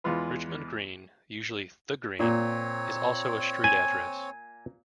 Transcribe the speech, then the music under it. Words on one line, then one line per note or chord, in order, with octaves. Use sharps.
Richmond Green, usually "The Green", is also a street address.
E2 G#3 F4 B4
A#2 C4 C#5
G#5